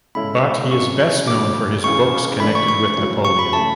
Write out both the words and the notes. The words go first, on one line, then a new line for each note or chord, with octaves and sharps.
But he is best known for his books connected with Napoleon.
C#3 G#3 C#4 E4 A4 B5
F#2 C#3 F#3 B3 C#6
D2 D3 F#3 D6
C#2 C#3 E3 C#6
E3 A3 D4 B5
C#6
C#6
C#3 F#3 C#4
C#6
B5
C#3 E3 A3 E4 G#4 A5